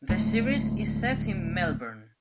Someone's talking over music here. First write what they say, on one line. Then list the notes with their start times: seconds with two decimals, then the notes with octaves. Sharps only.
The series is set in Melbourne.
0.09 D1 A2 G#3